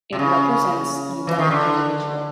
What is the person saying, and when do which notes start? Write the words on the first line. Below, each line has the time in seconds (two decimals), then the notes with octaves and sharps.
It represents an adult individual.
0.13 C3
0.19 C#3
1.27 E3
1.39 D#3
1.51 D3